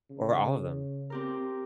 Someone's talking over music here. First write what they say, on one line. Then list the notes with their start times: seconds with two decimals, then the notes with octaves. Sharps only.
Or all of them?
0.10 C#3
1.10 C4 G4 A#4